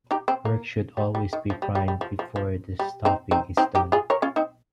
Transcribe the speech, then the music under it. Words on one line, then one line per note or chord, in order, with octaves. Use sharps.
Work should always be primed before the stopping is done.
D#4 G4
C4
A#3
G3
G3
D#3
F3
G3
G3
G3
F3
F3
F3
G3
C4 D#4
C4 D#4
C4 D#4
D#4 G4
F4 G#4
A#4 C#5
C#4 F4
C4 D#4